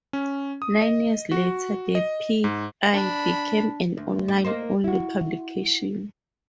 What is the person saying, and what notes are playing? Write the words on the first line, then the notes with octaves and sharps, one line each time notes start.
Nine years later, the "P-I" became an online-only publication.
C#4
D#6
D#5
F#4
D#5
G#2
D4 B5
D2
G3
A#3 D#4 C5
E4 F#4